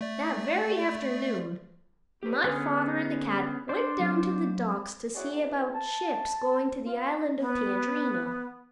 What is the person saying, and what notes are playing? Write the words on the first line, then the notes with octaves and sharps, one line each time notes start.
That very afternoon my father and the cat went down to the docks to see about ships going to the Island of Tangerina.
A3 D5
G4 B4
D3 B3 C#4 G#4
D4 C5 D5
F#3 C4
C#4 E4 F#4 G#4 C#5 D5
E2
A5
F4
B3